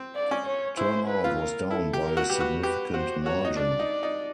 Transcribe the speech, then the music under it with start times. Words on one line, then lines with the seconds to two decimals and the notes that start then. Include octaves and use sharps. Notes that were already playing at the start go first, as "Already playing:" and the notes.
Turnout was down by a significant margin.
Already playing: C4
0.16 D5
0.31 C#4
0.46 C#5
0.77 E4 C5
1.08 B4
1.24 F4
1.40 A#4
1.70 E4 A4
1.93 G4
2.01 A#4
2.17 F#4
2.30 G4 B4
2.40 F#4
2.63 G4 B4
2.94 F#4 C5
3.25 F#4 C#5
3.45 D#4
3.56 D4 D5
3.79 D#4
4.03 D#4